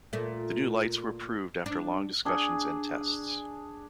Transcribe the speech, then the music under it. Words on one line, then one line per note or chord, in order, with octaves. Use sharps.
The new lights were approved after long discussions and tests.
A#2 A3
D4
D4 G#4